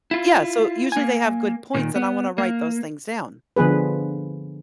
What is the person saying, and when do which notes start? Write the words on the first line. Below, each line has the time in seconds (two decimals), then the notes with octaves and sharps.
Yeah, so usually they have good points, and I wanna write those things down.
0.11 E4 F4
0.92 A#3 G#5
1.75 A#2 D#3
1.96 B3
2.38 A#3
3.56 D3 F3 B3 G#4 B4